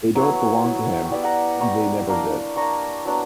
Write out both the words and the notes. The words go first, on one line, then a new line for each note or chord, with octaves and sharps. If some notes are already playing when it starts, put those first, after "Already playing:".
They don't belong to him, and they never did.
F#3 B3 E4 C#5 E5
F#3 B3 E4
G5
G3 B3 E4 D5 F#5
F#5 A#5
G3 B3 E4 A#5 C#6
A#3 D4
A#3 D4 A#5 C#6
F#3 B3 D4